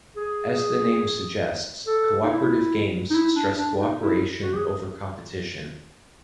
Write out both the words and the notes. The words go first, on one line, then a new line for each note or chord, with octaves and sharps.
As the name suggests, cooperative games stress cooperation over competition.
G#4
A4
D#4
E4
D#4
E4
D4
D4
D#4
E4
F#4
G4
G#4